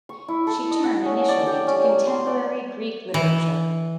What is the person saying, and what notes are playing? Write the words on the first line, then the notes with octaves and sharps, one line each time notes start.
She turned initially to contemporary Greek literature.
C#6
E4
A4
D#5
F#5
C#4
D5
G4
C#4
F#3
C6
D5
E3